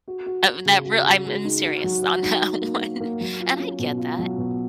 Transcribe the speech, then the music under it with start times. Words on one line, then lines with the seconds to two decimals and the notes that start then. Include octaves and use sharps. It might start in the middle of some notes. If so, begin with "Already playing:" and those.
Of that real I'm I'm serious on that one, and I get that
0.08 F#4
0.26 F#4
0.46 F#4
0.66 C#3
0.85 F#4
1.04 F#4
1.25 G#3
1.45 D#4
1.63 F#4
1.84 F#3
2.02 F#4
2.22 D#4
2.42 D#4
2.61 A#3
2.81 A#3
3.00 A#3
3.21 F#3
3.40 F4
3.59 C#4
3.79 B2
3.99 F4
4.19 F#3
4.38 B2